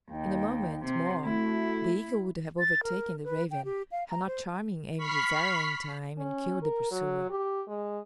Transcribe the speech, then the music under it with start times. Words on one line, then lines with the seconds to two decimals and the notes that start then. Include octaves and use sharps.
In a moment more the eagle would have overtaken the raven, had not Charming aimed his arrow in time and killed the pursuer.
0.10 D#2 D#4 G5
0.84 C3 C7
1.25 A3 E4 F#4
2.59 A6
2.83 A#4
3.24 B4
3.51 G5
3.65 G4
3.91 F5
4.10 A#5
4.27 C5
4.97 B5 C#6 F6 B6 C7
6.17 C#4
6.62 A#4
6.91 F#3
7.30 G4
7.68 G#3